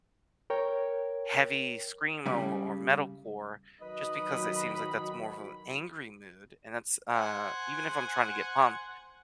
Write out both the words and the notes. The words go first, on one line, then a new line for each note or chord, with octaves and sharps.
heavy screamo, or metal core just because it seems like that's more of an angry mood and that's, uh, even if I'm trying to get pumped,
A#4 C#5 G5
C#3 G3
D#3 F#3 B4 D#5 B5
C5 F#5 G#5